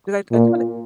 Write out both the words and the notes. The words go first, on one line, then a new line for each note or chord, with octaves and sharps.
'cause I I just wanna
A#2